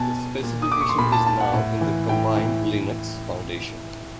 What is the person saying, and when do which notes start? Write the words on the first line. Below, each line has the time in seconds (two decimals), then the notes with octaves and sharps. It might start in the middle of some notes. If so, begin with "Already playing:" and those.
The specification is now in the combined Linux Foundation.
Already playing: B2 G#5 A5
0.43 A#2
0.62 D#6
0.72 D6
0.81 C#6
0.89 C6
0.98 A#2 B5
1.12 A5
1.27 A5
1.40 F#5
1.54 A2
1.81 E3
2.09 A2 G5
2.37 E3